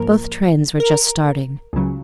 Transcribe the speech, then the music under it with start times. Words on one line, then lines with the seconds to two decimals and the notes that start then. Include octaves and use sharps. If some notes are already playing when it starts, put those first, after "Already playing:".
Both trains were just starting.
Already playing: G#2 F3 A#3 A#4
0.80 A#4
1.73 C#2 C#3 F#3